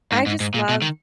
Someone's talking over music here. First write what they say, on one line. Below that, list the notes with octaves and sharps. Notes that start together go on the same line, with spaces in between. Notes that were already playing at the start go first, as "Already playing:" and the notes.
I just love
G#2
G#2
G#2
A#2
B2
D#3